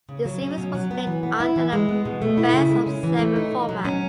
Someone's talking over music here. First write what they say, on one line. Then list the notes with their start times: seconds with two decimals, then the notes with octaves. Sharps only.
The series was played under a best-of-seven format.
0.09 C#3
0.25 F#3
0.42 C#4
0.58 B2
0.75 F#3
0.91 B3
1.07 E3
1.23 B3
1.40 E4
1.56 E3
1.73 G#3
1.89 B3
2.05 B2
2.22 A3
2.37 E4
2.54 C#3
2.70 G#3
2.87 C#4
3.03 E3
3.19 A3
3.36 D#4
3.52 B2
3.69 F#3
3.85 C#4